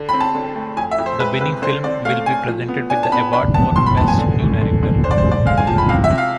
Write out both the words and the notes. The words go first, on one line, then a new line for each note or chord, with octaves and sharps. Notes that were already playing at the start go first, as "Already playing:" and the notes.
The winning film will be presented with the award for Best New Director.
Already playing: D3
C4 B5
A5
D3
A3
F2 G#5
E5
F2
C5
G#3 B4
C3 B4
D3 C5
C4 D5
A3 F5
A3 G#5
F3
B3
D4 G#5
A5
B3 B5
D4 B5
B3 A5
B2 C6
B5
B3 A5
G#5
D3
A3
D3
D3
D4 C5
D5
C5
G#3
D5
G#3 F5
G#5
F3 A5
B5
C3 F5
E5
C3
F5